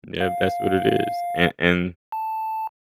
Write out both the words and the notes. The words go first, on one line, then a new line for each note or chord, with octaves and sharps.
Yeah, that's what it is. A and
F5
A5